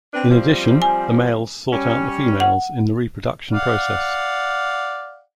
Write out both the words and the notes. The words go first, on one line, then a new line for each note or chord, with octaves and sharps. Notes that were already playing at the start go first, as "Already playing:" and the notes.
In addition, the males sought out the females in the reproduction process.
C4 D4 B4
F3 G3 C4
G#5
G3 C#4
F#5
D5 F5 F#5